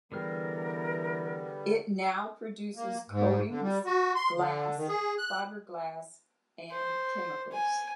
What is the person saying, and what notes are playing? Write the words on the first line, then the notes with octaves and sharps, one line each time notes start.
It now produces coatings, glass, fiberglass, and chemicals.
D3 E3 G3 B3 G#4 A#4 F6
A#3
G#2
D3
G3
F#4
C6
D3
D#3
G#4
F#6
C5
G#5